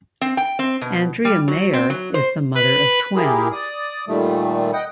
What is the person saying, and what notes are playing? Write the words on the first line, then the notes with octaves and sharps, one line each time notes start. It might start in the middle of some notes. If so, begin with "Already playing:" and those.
Andrea Mayer is the mother of twins.
C4
G5
C4
B2
G3
F#3
C4
F#3
C5
B4
E4 G4 G#4 A#4
D5 D#6
A#2 D#3 G3 A3
D#5 F#5 G5